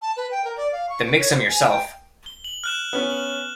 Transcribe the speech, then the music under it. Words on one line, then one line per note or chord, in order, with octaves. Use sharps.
Then make some yourself.
A5
B4
G5
A#4
D5
F5
C#6
B4
C#5
C5
G#5
G5
G7
F#7
F6 F#6 E7
B3 C#4
F#7